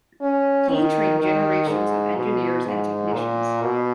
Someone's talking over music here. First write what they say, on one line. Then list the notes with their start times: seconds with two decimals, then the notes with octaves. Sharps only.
He trained generations of engineers and technicians.
0.22 C#4
0.71 D#3
1.19 D#3
1.68 G#2
2.17 B2
2.65 G#2
3.13 A#2
3.62 B2